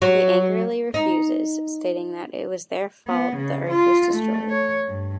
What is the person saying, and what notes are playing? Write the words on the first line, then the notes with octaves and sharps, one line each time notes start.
He angrily refuses, stating that it was their fault the Earth was destroyed.
F#3
D#4
B3
C#3
F4
A3
C#5
G2